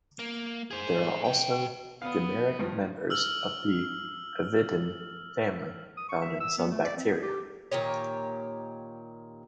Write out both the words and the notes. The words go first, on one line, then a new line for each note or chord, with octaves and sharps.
There are also dimeric members of the avidin family found in some bacteria.
A#3
G#4 C5
B2 G5
B3 F5 D#6
G2 F3
E6 F6 F#7
D#6
C#6
E5
E6
B3
A3
D5
C4
G#4
G4
A#2 D#3 G4 C#5